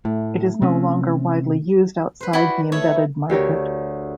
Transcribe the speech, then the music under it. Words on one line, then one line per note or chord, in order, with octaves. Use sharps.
It is no longer widely used outside the embedded market.
A2 A3
C3 C4 C#4
B4 C5
E4 F#4 D5 G5 B5
A3 B3 E4 C#5
D2 G4 A#4 C#5